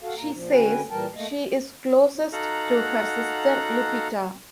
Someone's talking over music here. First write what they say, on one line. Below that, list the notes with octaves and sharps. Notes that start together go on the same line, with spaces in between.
She says she is closest to her sister Lupita.
F#4 A4 F5
A#2 A#3 A#5
A#2 F3
D3 C#4 F#4 B4 G5 G#5
A#2 E3 G3 A#4 G5 A5
A3 A#3 D#5
D#4 F#4 A4 F5 F#5 A#5